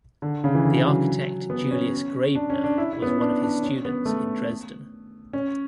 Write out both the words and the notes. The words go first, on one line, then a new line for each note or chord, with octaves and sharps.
The architect Julius Graebner was one of his students in Dresden.
D3
C#3
E3
D3
F#3
B3
C#4
D4
C#4
D4
E4
E4
B3
C#4
D4
D4
C#4
B3
A3
C#4